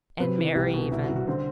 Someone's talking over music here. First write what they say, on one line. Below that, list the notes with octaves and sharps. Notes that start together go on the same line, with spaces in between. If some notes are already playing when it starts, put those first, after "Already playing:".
And Mary even.
C3 B4
E3
C2 G4
B2
C2 E4
F#4
C2
F#4
D3 C4